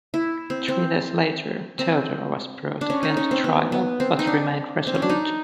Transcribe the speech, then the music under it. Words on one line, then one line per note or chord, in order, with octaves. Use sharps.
Three days later, Theodora was brought again to trial, but remained resolute.
E4
C4
C4
C4
D4
C#4
D#4
C#4
C4
B3
B3
C4
D#4
D4
C4
C#4
D4
D#4